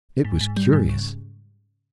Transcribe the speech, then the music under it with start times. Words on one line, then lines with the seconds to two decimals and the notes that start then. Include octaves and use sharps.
It was curious.
0.25 G#2
0.41 G#2
0.57 G3
0.73 G#2
0.89 C#3